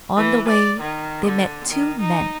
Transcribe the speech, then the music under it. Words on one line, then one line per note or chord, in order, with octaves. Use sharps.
On the way they met two men.
E3
D5
D#3
D3
D#3
D#4